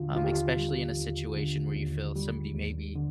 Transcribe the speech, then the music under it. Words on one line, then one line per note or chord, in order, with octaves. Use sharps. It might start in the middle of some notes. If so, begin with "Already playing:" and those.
Um, especially in a situation where you feel somebody may be
Already playing: D#2 D3 F4
D#2 F4
G4
F4
G3
D#2
D3
D#2
G3
D#2
D3